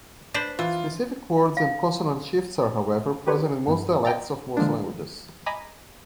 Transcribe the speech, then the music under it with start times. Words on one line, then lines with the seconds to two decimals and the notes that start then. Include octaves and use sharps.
Specific words and consonant shifts are, however, present in most dialects of most languages.
0.34 D4 B4 C5
0.59 E3 F4
1.57 F5
3.27 G4 B4 C#5
3.67 G2 B3
4.05 D#5 G5 A#5 A6
4.57 D3 F3 G#3 A#3 D4
5.46 D#5 G#5 A#5 B5 D6